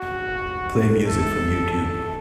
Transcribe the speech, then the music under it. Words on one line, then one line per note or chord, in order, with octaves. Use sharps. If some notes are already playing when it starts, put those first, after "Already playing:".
Play music from Youtube.
Already playing: F#4
A4
A4